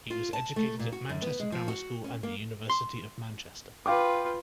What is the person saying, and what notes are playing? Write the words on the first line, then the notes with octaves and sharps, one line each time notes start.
He was educated at Manchester Grammar School and the University of Manchester.
F4
A5
A3
A#2
F#4
F#2
B3
G#3
F3
F#4
C#4
A#3
C6
F4 B4 F5 G5 D6